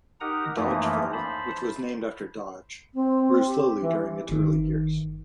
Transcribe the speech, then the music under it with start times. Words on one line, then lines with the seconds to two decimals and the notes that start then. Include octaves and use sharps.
Dodgeville, which was named after Dodge, grew slowly during its early years.
0.21 D#4 G4 A#4 F#5 A#5 D#6
0.56 F#2 E3 F3 A3 A#3 D#4
1.13 C5 A5 B5
2.94 C4
3.47 G4
3.81 E3
4.29 G1 D#3